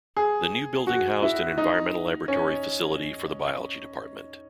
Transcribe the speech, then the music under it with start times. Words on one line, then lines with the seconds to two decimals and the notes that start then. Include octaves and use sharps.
The new building housed an environmental laboratory facility for the Biology Department.
0.17 G#4
0.87 F#4
1.22 E4
1.58 D#4
2.28 C#4